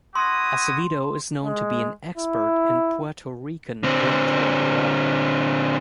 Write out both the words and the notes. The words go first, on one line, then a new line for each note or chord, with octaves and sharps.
Acevedo is known to be an expert in Puerto Rican electoral law.
E4 F#4 C6 D#6
G#3
E4
D3 C4